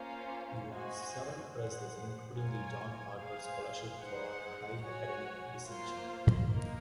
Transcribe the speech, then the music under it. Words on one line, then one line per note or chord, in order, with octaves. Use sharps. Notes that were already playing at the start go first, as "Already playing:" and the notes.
He won several prizes, including the John Harvard scholarship for high academic distinction.
Already playing: A#3 C#4 F4 C5 F5
F#4 C5 D#5 G#5
G#4 C5 F#5
F4 A#4 C#5 G#5
G#4 C5 F5 G#5
D#4 G#4 C5 F#5
F#4 C#5 G#5
A#3 F4 C5
A#3 D#4 A#4